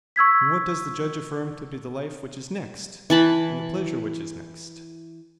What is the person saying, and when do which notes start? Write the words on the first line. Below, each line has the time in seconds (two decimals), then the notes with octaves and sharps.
And what does the judge affirm to be the life which is next, and the pleasure which is next?
0.16 C#6 E6 G#6 B6
3.10 E3 A5 B5